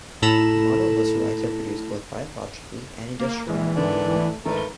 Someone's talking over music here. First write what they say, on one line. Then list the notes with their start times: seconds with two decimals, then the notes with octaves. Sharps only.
Monoglycerides are produced both biologically and industrially.
0.22 A2 A4 A#5 B5 E7
3.20 A#3
3.47 A#1 E3 G#3
3.75 G#2 D3 D#3 B3 D4
4.14 A3
4.46 G#1 A3 A#4 B4
4.57 G7